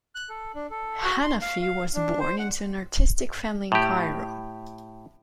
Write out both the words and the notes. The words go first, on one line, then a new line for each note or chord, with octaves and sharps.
Hanafi was born into an artistic family in Cairo.
F#6
A4
D4
A4
F#4
C6
F5
F5
D4
C5
F#5
A2 G4